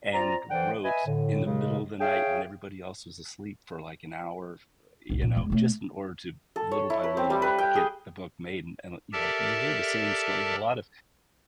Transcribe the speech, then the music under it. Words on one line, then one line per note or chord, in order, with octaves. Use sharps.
and wrote in the middle of the night when everybody else was asleep for like an hour, f you know, just in order to little by little get the book made, and li you know, you hear the same story in a lot of
C4 F4 D5 A#5
D3 E3 A4 C5 F#5 G5
B4 D#5 E5 G#5
A2 D3
D#2 A#2 C#3 G#3
G#4 C#5 E5 F5 G5
C2 G#2
A#2
E2 G#3
B2 A3
A4
C#5
E4
B4
C4
G3
B4
G5
G#4
G4 A4 A#4 D5 E5 A5